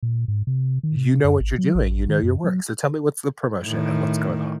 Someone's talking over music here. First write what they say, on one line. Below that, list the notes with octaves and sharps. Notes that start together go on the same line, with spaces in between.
you know what you're doing, you know your work, so tell me what's the promotion and what's going on.
A#2
G#2
C3
D#3
C3
F#2
G#1
F#3
A1
D#3
F#2
F#3
A2 D#3